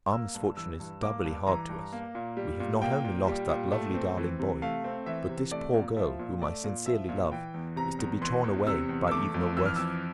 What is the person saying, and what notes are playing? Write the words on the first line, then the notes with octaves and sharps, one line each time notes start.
Our misfortune is doubly hard to us; we have not only lost that lovely darling boy, but this poor girl, whom I sincerely love, is to be torn away by even a worse fate.
A#3 E6
G2
E3 E6
G2
A#3 D6
G2
E3 A#5
G2
A#3
A#2
G3
A#2
A#3 G5
A#2
G3
A#2
A3
C4
E3
C3
A3 F5
C4
E3 E5
C3
A3 D5
A#2
F3 E5
A#2
A3 D5
A#2
F3 E5
A#2
E3 G5
E2
C3 A#5
E2
E3 C6
E2
C3 E6
E2
E6
A3 D6
F2
E3 E6
F6
F2 E6